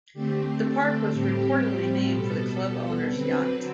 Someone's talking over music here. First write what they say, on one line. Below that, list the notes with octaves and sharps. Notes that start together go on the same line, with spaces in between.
The park was reportedly named for the club owner's yacht.
D3 A3 C4 G4
A4
A2 G3 C4 G4
B2 G3 B3 A4
D3 F#3 C4 B4